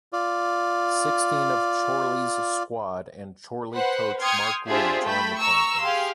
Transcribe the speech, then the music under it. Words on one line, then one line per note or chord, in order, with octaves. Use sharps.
Sixteen of Chorley's squad and Chorley coach Mark Lee joined the Panthers.
F4 D5
B4 C5 F#5
G5 C6 D#6 F6 G#6 C#7
D4 F4 G4 G#4 C5 E5
A3 G5 B5
A#5 C#6 E6
G4 G#4 F5 C6